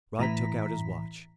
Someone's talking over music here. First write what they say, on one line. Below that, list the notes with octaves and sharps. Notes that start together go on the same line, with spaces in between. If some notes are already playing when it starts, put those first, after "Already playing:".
Rod took out his watch.
A2 E3 A#5 B6